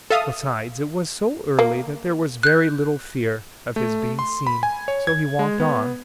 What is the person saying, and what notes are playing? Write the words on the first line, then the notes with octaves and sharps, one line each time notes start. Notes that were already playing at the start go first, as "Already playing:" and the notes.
Besides, it was so early that there was very little fear of his being seen; so he walked on.
A4 E5 F5 D#6
A#3
F#6 G6
A3
C6
B5
G#5
C#5
G#6
G#3
B3